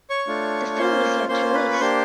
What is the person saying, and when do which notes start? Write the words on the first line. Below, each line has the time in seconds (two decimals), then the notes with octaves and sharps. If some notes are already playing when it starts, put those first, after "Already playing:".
The film is yet to release.
0.10 C#5 C#6
0.27 A3 D4 F4
0.77 A#3 C#4 F4 C5 C6
1.28 A#3 C#4 F4 C5 C6
1.54 B4 B5
1.73 C#6
1.80 A#3 D4 G4 C5 C6